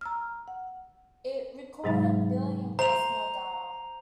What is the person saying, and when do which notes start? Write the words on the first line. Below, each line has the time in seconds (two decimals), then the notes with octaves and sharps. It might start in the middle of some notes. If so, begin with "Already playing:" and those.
It recorded billing and customer data.
0.01 A#5 E6 F6
0.48 F#5
1.84 G#2 C3 F#3 G#3 D#4 A6
2.79 C5 A#5 F7